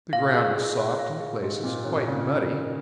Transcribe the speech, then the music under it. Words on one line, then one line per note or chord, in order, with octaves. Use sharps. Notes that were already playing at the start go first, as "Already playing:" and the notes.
The ground was soft in places, quite muddy.
A#2 F5
G#4
G#4
C#5
F5
G#4
G#2 G4
A#2 C4
D#3 C#5
C#3 C4